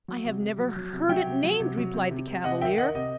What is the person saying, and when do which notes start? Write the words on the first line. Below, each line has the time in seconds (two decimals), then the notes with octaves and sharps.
"I have never heard it named," replied the Cavalier.
0.08 F#3
0.25 C3
0.42 C3
0.58 F#3
0.76 F#3
0.93 C3
1.09 F#3 E5 G5
1.27 C3
1.44 F#3
1.60 C3
1.77 F#3
1.93 C3
2.11 C3
2.28 C3
2.44 C3 D#5 F#5
2.61 D#3 E5 G5
2.78 D#3 D#5 F#5
2.95 C3 D#5